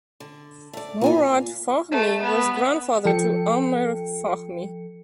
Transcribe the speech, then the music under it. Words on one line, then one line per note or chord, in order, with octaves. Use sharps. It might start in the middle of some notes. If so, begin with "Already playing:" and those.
Mourad Fahmy was grandfather to Amr Fahmy.
D3
A3 D5
A#2 F4 G#5 A#5
A3
B3
F3 A4 G5 C#7